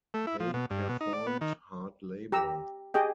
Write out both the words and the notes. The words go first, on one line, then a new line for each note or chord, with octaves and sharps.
They performed hard labor.
A3
E4
F3
B2
G2
B2
D#4
D5
B3
D#3
G4 A#5 E6
G4 G#4 D#5 G5